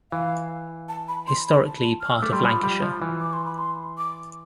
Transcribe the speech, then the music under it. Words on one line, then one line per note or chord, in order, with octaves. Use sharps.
Historically part of Lancashire.
E3 F5
A5
B5
C6
B5
A5
F6
E6
A3 D6
G3 C6
F3 B5
G3
F3
E3
D6
C6
B5
C6
D6